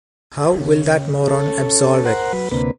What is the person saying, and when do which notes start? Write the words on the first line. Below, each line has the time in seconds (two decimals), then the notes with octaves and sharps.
How will that moron absolve it?
0.60 C#3
1.28 C#4 A4
2.05 A#4 C5 F#5
2.33 F#3 B4
2.51 D2 C3 A#3 B4